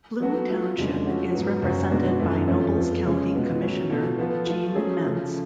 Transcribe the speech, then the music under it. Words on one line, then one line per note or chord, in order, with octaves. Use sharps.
Bloom Township is represented by Nobles County Commissioner Gene Metz.
F#3 B3 F#4 A4
F#3 A3 F4 A4
F2 C#3 G#3 D4
F3 A3 C#4 F#4
G#2 F#3 B3
F#2 C#3 F#3 C#4 F#4
B2 G#3 B3 D4 F#4
F#2 F3 A3
F2 F3 A3 C#4
F2 F3 B3
C#3 G#3 C#4 G#4
B2 G#3 B3 F4
A2 F#3 C#4
B2 A3 F4 A4
F3 B3 F4 A4
F3 A3 F4
F#3 A3 C#4 G#4
C#3 F3 A3